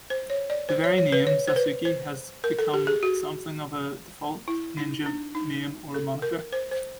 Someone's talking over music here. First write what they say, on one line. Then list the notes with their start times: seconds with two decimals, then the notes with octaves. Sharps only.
The very name Sasuke has become something of a default ninja name or moniker.
0.10 C5
0.30 C#5
0.50 D5
0.69 C5
0.84 C#5
0.98 C#5
1.12 B4
1.27 C#5
1.47 C5
1.56 B4
1.85 C5
2.44 A#4
2.59 A4
2.74 G4
2.87 G#4
3.03 F#4
4.48 E4
4.77 D#4
5.06 D4
5.35 D#4
5.94 A4
6.22 A#4
6.53 C5
6.71 C5